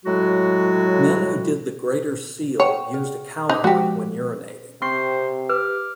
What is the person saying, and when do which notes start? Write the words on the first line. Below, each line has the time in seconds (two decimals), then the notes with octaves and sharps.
Men who did the "greater seal" used a cow-horn when urinating.
0.04 A2 F#3 G#3 F#4
2.60 C#5 F#5 G5 C#6
2.94 G#4
3.50 D#4 D6 F#6
3.64 F3 G#3 F#4 G4
4.82 C3 C4 C5 C6 C#6 C7
5.49 G4 B4 D6 F6